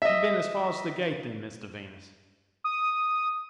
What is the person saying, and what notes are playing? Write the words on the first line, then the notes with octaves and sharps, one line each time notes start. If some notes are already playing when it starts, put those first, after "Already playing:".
'You've been as far as the gate then, Mr Venus?'
D#5 E5
D#6